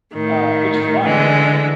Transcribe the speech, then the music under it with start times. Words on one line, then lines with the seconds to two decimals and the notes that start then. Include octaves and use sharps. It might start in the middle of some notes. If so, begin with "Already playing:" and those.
uh, which is fine, but
0.13 A2 D#3
1.04 D3 E3 G#3